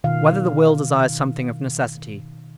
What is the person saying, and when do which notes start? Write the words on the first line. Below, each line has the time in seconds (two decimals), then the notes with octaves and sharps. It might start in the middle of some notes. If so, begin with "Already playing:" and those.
Whether the Will Desires Something of Necessity?
0.04 B2 D#3 F5